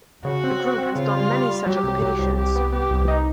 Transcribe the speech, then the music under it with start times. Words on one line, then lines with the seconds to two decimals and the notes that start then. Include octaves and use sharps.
The group has done many such occupations.
0.25 C#3 F#4
0.44 C4
0.61 C4
0.78 C4
0.96 C#3 F4
1.14 G3
1.31 G3
1.49 G3
1.66 F#3 G4
1.84 C2
2.02 F#3
2.19 C2
2.37 C2 G4
2.56 B3
2.72 B3 G4
2.90 C2
3.08 D#4